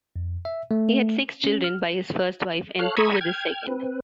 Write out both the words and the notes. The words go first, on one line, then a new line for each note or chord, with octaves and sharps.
He had six children by his first wife, and two with his second.
F2
E5
A3
C#4
F6
A4 C#5 F5 F6 F#6
A#5 B5 C#6 D#6 E6 G#6
G5 F6 G#6
C4 B4